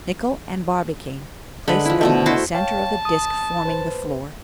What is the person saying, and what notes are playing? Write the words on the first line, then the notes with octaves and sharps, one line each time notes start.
Nicholl and Barbicane placed them in the center of the disc forming the floor.
D3 G#3 B4
F3 E4
B2 D3 A3
E4 F#4 C5 A5
C#5 F5 G5 A5
D#6
B4 C5